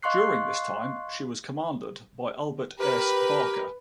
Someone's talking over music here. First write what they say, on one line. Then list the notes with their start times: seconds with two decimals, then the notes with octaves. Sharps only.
During this time, she was commanded by Albert S. Barker.
0.03 D#5 F5 C6 C#6 F#6 C7
2.79 G4 A#4 B4